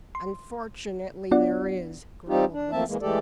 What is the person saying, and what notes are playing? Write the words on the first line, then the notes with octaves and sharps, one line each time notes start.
"Unfortunately there is," growled West.
C6
B3 D4 F4 D5 F#5
G3 C4 D#4 F4 G4
D4
F3 A3 A#3 C4 E5 A5
E3 G#3 A#3
E3 G#3 A3 G4 A4 D5